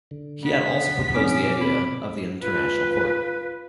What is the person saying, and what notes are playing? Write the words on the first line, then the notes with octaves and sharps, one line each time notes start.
He had also proposed the idea of the International Court.
D3
B3 D4 A4 B6
B2 F3 C4 C#4 D#4 D6
B3 C4 B5
F4 B4